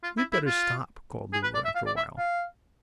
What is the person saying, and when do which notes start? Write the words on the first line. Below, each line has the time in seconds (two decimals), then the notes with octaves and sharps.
"We had better stop," called Lulu, after a while.
0.03 F4
0.18 E4
0.33 E4
0.47 F4
1.33 G#4
1.43 B4
1.54 D5
1.65 E5
1.75 F5
1.87 D5
1.97 E5
2.18 F5